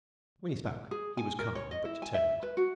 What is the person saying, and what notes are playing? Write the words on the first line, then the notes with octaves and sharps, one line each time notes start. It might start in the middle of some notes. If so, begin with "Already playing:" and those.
When he spoke he was calm, but determined.
G#4
G#5
A#4
C#5
D#5
E4
G#5
E5
B4
F#4